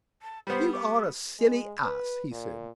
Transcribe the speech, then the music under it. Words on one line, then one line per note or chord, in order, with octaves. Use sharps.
"You are a silly ass," he said.
A5
G3 B3 C5
D6
G#3
B4
A#2